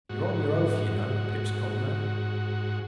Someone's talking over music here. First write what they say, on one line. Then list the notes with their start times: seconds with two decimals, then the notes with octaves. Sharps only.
"You're on your oath, you know, Pip's comrade?"
0.09 G#2 F#4